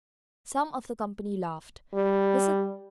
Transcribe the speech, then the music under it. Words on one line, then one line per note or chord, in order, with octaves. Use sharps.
Some of the company laughed--Mrs.
G3